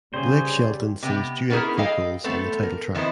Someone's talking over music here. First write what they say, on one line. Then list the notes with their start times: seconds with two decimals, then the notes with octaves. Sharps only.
Blake Shelton sings duet vocals on the title track.
0.14 C#3 G3 G#4 C5
1.03 C3 B3 G5
1.50 B3 C#4 D#4 E4 G#4 A#4
1.77 G#4 A4 D#5 F5 G5
2.24 A3 B3 C4 A4
2.63 A#4
2.95 D#3 F3 C4 E4 B4 C5